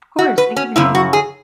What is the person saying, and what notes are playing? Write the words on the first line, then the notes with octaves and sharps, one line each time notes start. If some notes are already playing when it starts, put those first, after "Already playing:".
Of course. Thank you for hearing me.
F#4
B4
C#4
F#2 C#3 E4
F#4
G#4